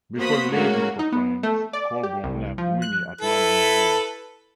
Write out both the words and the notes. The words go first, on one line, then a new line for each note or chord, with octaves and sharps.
Before leaving for France, Colebourn left Winnie at London Zoo.
A#3 B3 F#4 C5 B5 D#6
G#2 C#3 A3 A#3 C#4 F#4
D#4
B3
A3
D5
G4
C2
F3
F#6
E4 A4 B4